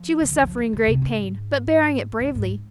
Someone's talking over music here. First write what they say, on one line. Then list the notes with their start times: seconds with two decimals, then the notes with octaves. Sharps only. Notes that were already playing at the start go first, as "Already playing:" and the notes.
She was suffering great pain, but bearing it bravely.
Already playing: F3
0.21 D3
0.33 E3
0.43 F3
0.58 E3
0.73 D3
0.87 C3
1.02 G#2
2.20 A2
2.35 G#2